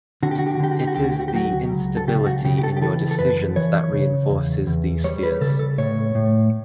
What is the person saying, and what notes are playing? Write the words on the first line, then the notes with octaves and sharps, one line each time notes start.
It is the instability in your decisions that reinforces theses fears.
D3 F#4
G4
F#4
G4
F#4
D3 G4
F#4
G4
F#4
D2 G4
F#4
G4
F#4
G4
F#3 F#4
C#2
A4
C#3 G4
F#4
C#3 G4
G4
A4
G4
E3 A4
A4
F#2 B4
E3 C#5
C#3
E2
E2
G3 C#5
B4
C#3 A4
A4
A2 C#5
A2